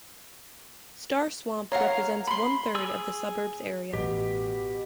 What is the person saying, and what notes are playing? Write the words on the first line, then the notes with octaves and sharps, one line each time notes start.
Star Swamp represents one-third of the suburb's area.
A#4 C#5 F5 F#5 A#5
B5 C6
G#4 E6
A1 B2 G4